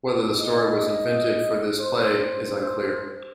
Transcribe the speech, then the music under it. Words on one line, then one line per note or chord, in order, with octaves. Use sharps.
Whether the story was invented for this play is unclear.
D#5
C5